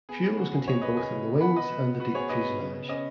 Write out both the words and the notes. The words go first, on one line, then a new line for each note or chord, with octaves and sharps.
Fuel was contained both in the wings and the deep fuselage.
B3 G#4
B3 G#4
C#3 F#4
C#3 G#4
B3 G#4 C#5
B3 B4 D#5
C#3 D#5 G#5
C#3
B3
B3 F#5 B5
B2 B4 D#5
B2
B3
B3 F#4 B4
B2 G#4 C#5
B2 B4 D#5
B3
C#3
C#3
C#4 D#5 G#5